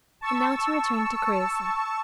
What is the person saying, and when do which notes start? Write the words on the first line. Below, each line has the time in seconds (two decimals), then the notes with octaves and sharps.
And now to return to Creusa.
0.21 A5 C#6 E6